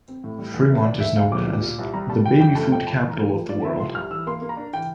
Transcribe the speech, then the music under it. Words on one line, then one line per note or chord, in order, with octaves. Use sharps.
Fremont is known as "The Baby Food Capital of the World".
C4
A2
G3
E2
D3 E5
E2 D5
D2 E5
D2 F5
D2 D6
A#2
A#2
C2
G3 A#5
G3 A5
E3 G5
F2 G5
A3 A5
F2 G5
A2 A5
E3
A#5
A3
F3
F3 D5
F3 E5
C2 C6
C2 F6
E3 E6
A#3 C6
A#3
A#5
D4
E3 G5